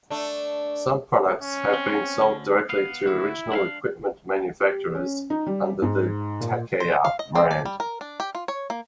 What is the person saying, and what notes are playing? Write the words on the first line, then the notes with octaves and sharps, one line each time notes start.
Some products have been sold directly to original equipment manufacturers under the Takaya brand.
A3 D4
C#4
C4
D2 D3
B3 F5
D2 E4 F#4
D4 E5 F5
G4
C#4
D#4
G3
G#2
A#2
C5
F5
D#5
C4
D5
G3
A#4
D4
G4
F4
C#5
A#3